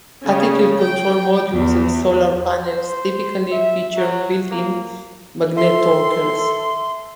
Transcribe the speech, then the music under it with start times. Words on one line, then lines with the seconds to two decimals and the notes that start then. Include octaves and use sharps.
Attitude-control modules and solar panels typically feature built-in magnetorquers.
0.24 C#3
0.81 G5
1.54 E2
2.65 C5
3.52 E5
3.97 F#3
4.51 A#3
5.57 A4 E5 C6